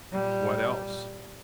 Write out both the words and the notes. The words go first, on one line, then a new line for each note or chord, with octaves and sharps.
"What else?"
A#2 G3